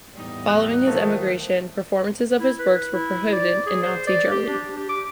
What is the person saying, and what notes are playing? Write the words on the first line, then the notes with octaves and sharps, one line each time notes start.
Following his emigration, performances of his works were prohibited in Nazi Germany.
E2 A2 G3 D#4
A3 F#6
D#3 F3 A3 C5
E4
B4
E4
D5
G#4
C5
D5
G4
D4
G4
D6